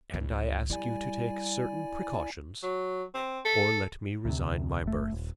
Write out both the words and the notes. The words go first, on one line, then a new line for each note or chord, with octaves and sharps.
And I ask you to take certain precautions or let me resign my berth.
C#2 C#3
G3 E4 D5 G#5
F#3
C4
A4
D2 C3
F#1 A3
D#1